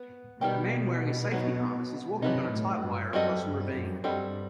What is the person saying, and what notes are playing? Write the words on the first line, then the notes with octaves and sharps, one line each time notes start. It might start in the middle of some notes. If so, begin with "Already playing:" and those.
A man wearing a safety harness is walking on a tight wire across a ravine.
Already playing: B3
B2 D#3 G3 B3 D#4 G4
F#3 B3 D#4
C3 F#3 B3 D#4
A2
G2
F#2 G3 C4 F#4 A4 D#5
G2
F#2
G2 G3 C4 F#4 A4 D#5